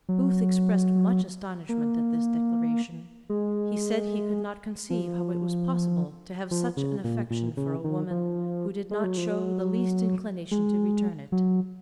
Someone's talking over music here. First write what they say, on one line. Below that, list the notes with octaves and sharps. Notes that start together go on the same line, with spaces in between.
Booth exprest much astonishment at this declaration; he said he could not conceive how it was possible to have such an affection for a woman who did not shew the least inclination to return it.
F#3
A#3
G#3
F3
F3
C#3
A#2
A#2
C#3
D#3
F3
G#3
F#3
F3
F#3
G#3
F#3